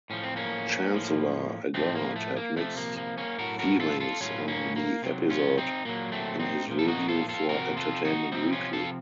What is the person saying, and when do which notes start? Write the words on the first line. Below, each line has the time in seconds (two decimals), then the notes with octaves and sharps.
Chancellor Agard had mixed feelings on the episode in his review for "Entertainment Weekly".
0.10 A2 F3 C#4
0.23 C4
0.36 A#3 C#4
0.92 A2 F3
1.74 A2 F3 A3 C4
1.95 A#3
2.16 A3
2.36 A#3
2.56 C3 F3 A3
2.77 A#3
2.97 A#3
3.18 A#3 C#4
3.38 A2 F#3 F#4 A#4
3.59 F#4 A#4
3.80 F4 A4
4.00 F4 A4
4.21 A2 F#3 C#4 F4
4.48 A#3 C#4
4.76 A#3
5.03 C3 F#3
5.30 C#4 F4
5.58 C4 D#4
5.85 A#2 F#3 A#3
6.12 A3 C4
6.39 C4 D#4
6.67 A#2 F3
6.79 A4
6.88 D#4 F#4
7.08 F4 A4
7.29 F4 A4
7.49 C3 F3 F#4 A#4
7.77 F4 A4
8.05 D#4 F#4
8.32 C3 F3 C4 D#4
8.52 C#4 F4
8.73 F4 A4